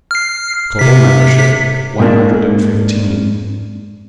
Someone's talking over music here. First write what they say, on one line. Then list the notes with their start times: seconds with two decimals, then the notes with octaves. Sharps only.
Total membership, one hundred and fifteen.
0.11 F6 C7
0.79 C3 B6
2.00 G#2 A#3 D4